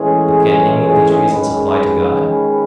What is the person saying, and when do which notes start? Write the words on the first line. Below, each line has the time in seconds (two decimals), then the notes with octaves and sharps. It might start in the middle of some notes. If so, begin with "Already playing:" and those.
But can any of these reasons apply to God?
Already playing: A2 E3 G#3 C#4 G#4
1.28 D#3 G#3 C#4 G#4 B4